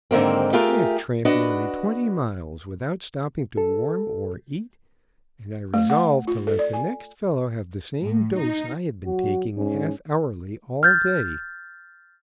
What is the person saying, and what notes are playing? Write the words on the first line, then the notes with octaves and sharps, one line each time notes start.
I have tramped nearly twenty miles without stopping to warm or eat; and I resolved to let the next fellow have the same dose I have been taking half-hourly all day.
G#2 D3 D#3 A#3 C4
A3 F4 G4 G#4 A#4
D4 F#4 B4 D#5
A4
A3
F#5
F4
A4
D5
G#5
A2
D#4
F#3 F#4
G#2 C#4
F6 G6 A6